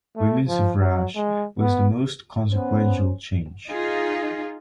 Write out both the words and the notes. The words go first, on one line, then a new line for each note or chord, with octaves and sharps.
Women's suffrage was the most consequential change.
A3
F3
F#3
G#3
B3
B3 C#4 C5
D#4 F4 G#4